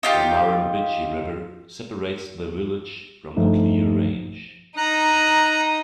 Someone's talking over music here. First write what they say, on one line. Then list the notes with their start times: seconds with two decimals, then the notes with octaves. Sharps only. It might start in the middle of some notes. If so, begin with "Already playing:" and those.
The Murrumbidgee River separates the village from the Clear Range.
0.03 D#4 F4 G4
3.37 G2 F3 A3 D#4
4.77 D#4 A#5 D#6 F#6